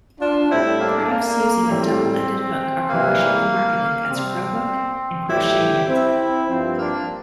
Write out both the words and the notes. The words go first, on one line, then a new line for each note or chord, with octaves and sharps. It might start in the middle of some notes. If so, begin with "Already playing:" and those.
Crafts using a double-ended hook are commercially marketed as Cro-hook and Crochenit.
D4 F4
A2 G3 C4 E4
A#3 D4
A#3
A2 G3 C4
C3 E3 G3 A#3
C3 G3 C4
A2 E3 G3 E4 G4
C4 E4
G2 F3 C4
A#3 D4